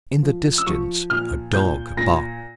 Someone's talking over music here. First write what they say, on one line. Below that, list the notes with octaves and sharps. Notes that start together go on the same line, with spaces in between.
In the distance a dog barked.
F3
E6
F3 C#6
A#2 F6
A#2 G6
A#2 A#6